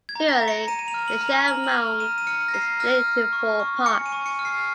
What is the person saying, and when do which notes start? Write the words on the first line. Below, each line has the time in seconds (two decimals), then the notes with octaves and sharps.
Currently, the shell mound is split into four parts.
0.09 G#6
0.15 A#5
0.29 A#6
0.42 A#5
0.48 C#7
0.68 A#5 D#7
0.79 D#7
0.88 F7
0.94 F6
1.08 F#7
1.21 A#5
1.28 F7
1.47 A#5 F#7
1.64 F#7
1.74 F6 F7
2.00 A#5 D#7
2.18 D#7
2.27 F6 C#7
2.48 A#6
2.53 A#5 C7
2.80 F6 A#6
3.06 F6
3.33 C#6
3.60 C#6
3.86 G#5 C#7
4.06 D#7
4.12 C#6
4.26 C#7
4.39 F6
4.45 C7